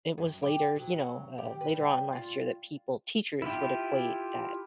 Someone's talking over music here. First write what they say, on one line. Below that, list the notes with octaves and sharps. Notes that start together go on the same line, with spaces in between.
it was later, you know uh, later on last year that people teachers would equate that
F#2
G4
F#3
G4
B4
G3
F4
E4 F4 G4